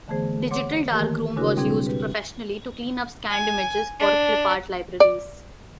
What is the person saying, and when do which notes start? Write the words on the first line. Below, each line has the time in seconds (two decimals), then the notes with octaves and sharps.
Digital Darkroom was used professionally to clean up scanned images for clip art libraries.
0.08 D3 E3 A3 B3 G#4 C5
0.51 C#5 F#5 C6 D6
0.92 D#3 E3 A3 A#3 G4 A#4
1.36 C#3 G#3 D4 E4 F#4 A#4
1.57 B2 G3 C4 D4 G#4
1.87 G4 B4
3.30 G#5
3.99 D4
5.00 D5